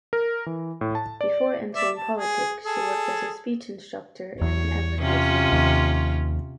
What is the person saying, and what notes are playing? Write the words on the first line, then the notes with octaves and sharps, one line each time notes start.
Before entering politics she worked as a speech instructor and an advertising manager.
A#4
E3
A2
A5
D5
D5 E5
A5
G#4
G#4 A4
E2 C#5
C3 C#4 F4
D#2